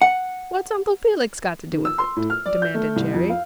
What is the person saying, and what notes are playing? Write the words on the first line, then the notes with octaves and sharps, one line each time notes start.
"What's Uncle Felix got to do with it?" demanded Jerry.
F#5
D#3
E6
C6
A2
F6
D5
G6
A3
C2
F2
F5